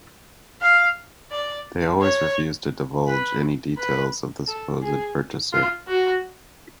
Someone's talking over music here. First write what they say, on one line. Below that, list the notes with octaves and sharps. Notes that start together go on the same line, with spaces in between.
They always refused to divulge any details of the supposed purchaser.
F5
D5
C#5
B4
B4
A4
G#4
F4
F#4